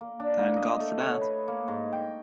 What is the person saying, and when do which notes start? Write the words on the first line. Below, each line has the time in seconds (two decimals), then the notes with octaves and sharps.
Thank God for that!
0.01 A#3
0.20 D4
0.39 A#3
0.56 D#5
0.79 A3
1.00 C#5
1.21 B4
1.48 A#3
1.68 G#2
1.93 G5